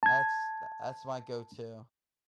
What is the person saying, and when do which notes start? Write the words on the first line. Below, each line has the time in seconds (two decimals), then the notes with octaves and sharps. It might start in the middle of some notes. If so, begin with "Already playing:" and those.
that's that's my go-to.
0.03 A5 G#6